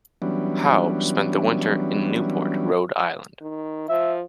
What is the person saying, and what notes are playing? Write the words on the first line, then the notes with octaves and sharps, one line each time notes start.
Howe spent the winter in Newport, Rhode Island.
E3 F#3 G3 B3 C#4 D4
D#3
F3 E5